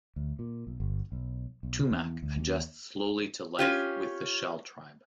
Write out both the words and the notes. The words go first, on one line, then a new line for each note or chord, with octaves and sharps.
Tumak adjusts slowly to life with the Shell Tribe.
D2
A#2
B1
G1
B1
B1
E2
D2
D#2
C#4 F4 G4